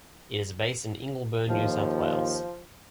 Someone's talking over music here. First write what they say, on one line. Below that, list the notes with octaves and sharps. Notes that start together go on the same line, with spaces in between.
It is based in Ingleburn, New South Wales.
D#2 F3